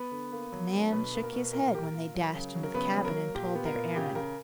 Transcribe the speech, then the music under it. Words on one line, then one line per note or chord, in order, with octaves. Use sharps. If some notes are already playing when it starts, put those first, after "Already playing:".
But the man shook his head, when they dashed into the cabin and told their errand.
Already playing: B3 B4
D3
A#3
F#3
D3
B2 B3 B4
A#3
A#4
B2
A#2 A#4
A#3 G4
A#4
A#2
F#3
C#3
F#3
A#4
C#3 B3 B4
F#3
A#4
A#3
A#2 G4
B3
A#4
A#2
C#3 G4
C#3 A#4